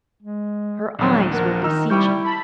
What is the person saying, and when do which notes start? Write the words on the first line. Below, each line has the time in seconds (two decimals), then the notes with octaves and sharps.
Her eyes were beseeching.
0.22 G#3
0.99 A#1 D#2 F#3
1.33 F3 A#4 F#5
1.63 D#3 D#4 A#5 E6 F6
1.90 C3 G3 E4 G5 C#6 G6
2.24 A5 B5